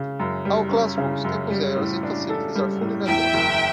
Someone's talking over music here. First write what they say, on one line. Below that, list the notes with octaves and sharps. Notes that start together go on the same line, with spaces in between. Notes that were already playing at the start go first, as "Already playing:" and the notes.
All classrooms, campus areas and facilities are fully networked.
Already playing: C#3
F#2
G3
C#4
C#3
F#2
G3
A2
D4
A4
G3
A2
E2 E5 G5
F#1